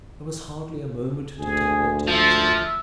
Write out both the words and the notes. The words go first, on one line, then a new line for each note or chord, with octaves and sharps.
There was hardly a moment to take their tickets in.
D2 G#4
F3 E5